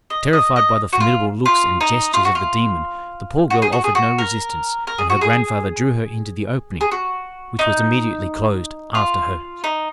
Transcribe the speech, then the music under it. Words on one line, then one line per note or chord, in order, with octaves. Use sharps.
Terrified by the formidable looks and gestures of the demon, the poor girl offered no resistance, and her grandfather drew her into the opening, which was immediately closed after her.
D#5
D#5
D#5
F#4
F4
F4
D#4
F4
F#4
F4
F#4
G#4
F#4
G#4
F#4
A#4
A#4
G#4
F#4
G#4
G#4
F#4
D#4
F4
D#4